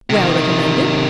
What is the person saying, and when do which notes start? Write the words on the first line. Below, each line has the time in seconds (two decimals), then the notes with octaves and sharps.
"Well recommended?"
0.10 C3 D#3